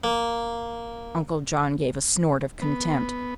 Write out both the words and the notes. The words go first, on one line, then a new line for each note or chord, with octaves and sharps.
Uncle John gave a snort of contempt.
A#3
B3